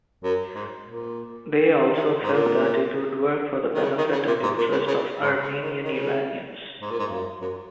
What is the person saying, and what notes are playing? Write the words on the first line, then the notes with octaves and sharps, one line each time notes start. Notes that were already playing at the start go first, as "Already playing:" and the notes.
They also felt that it would work for the benefit and interest of Armenian-Iranians.
F#2
G#2
A#2
D#3
C#3
G#2
A#2
D#3
C#3
D#3
C#3
A#2
G#2
A#2
C#3
C#3
G#2
C#3
D#3
D#3
C#3
G#2
A#2
G#2
F#2
F#2